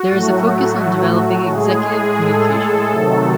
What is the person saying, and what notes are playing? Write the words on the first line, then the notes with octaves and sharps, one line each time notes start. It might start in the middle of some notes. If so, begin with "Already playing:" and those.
There is a focus on developing executive communication.
Already playing: F#4
A2 F#3 A3
A2 G#3 G#4
A4
C3 D#3 F#3 A3